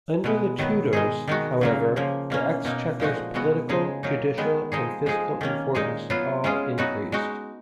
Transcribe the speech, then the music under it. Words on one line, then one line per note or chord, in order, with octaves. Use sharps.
Under the Tudors, however, the Exchequer's political, judicial and fiscal importance all increased.
B2 G#3 B3
D#3 F#3 B3
G#3 D#4 G#4
D#3 G#3 D#4 F#4
C#3 F#3 A#3
C#3 F3 A#3
B2 A#3 C#4
B2 A#3 D#4
A#2 F3 G#3 D#4 F#4
B2 G#3 B3 F#4
C#3 G#3 D#4 G#4
F#3 A#3 D#4
D#3 G#3 B3
F3 G#3 D#4 G#4
F3 G#3 D#4 G#4
D#3 A#3 C#4
A#2 G#3 D#4 G#4
F#3 B3 F4
G#3 C#4 F4 G#4
F#3 B3 D#4 F#4
G#3 D#4 F#4